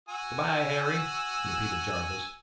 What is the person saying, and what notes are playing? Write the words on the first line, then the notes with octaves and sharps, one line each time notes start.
"Good-bye, Harry," repeated Jarvis.
F#4 G#5 E6